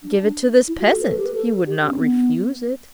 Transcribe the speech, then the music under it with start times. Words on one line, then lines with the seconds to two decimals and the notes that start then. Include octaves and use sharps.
"Give it to this peasant, he would not refuse it."
0.03 D4
0.68 E4
0.80 F#4
0.91 A4
1.01 B4
1.09 A4
1.18 G4
1.25 B4
1.34 A4
1.67 G4
1.83 D4
1.91 C4
2.00 B3